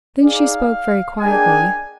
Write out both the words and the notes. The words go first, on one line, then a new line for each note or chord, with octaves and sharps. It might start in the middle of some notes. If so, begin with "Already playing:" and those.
Then she spoke very quietly.
D#4 G#4 D5 F5
A#3 D4 G#4 D#5 G5 G#5